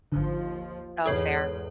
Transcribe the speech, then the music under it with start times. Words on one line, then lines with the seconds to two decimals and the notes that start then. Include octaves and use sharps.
Oh, fair.
0.12 G#1 D#2 D3 F3
1.06 E2 G#2 A4 C#5